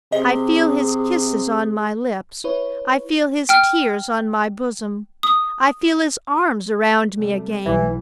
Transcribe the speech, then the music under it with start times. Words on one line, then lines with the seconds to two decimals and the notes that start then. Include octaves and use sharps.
I feel his kisses on my lips; I feel his tears on my bosom; I feel his arms round me again.
0.12 C3 G#4 D#5
2.44 E4 B4 C#5
3.49 G5 F6
5.23 D#6
7.16 C3 G3 A3
7.66 B1 E3